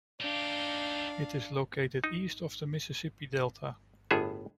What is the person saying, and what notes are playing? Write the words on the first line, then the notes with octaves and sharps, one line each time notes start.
It is located east of the Mississippi Delta.
D4 D#4 G4 F5
D#4
G1 A2 B3 G#4 E5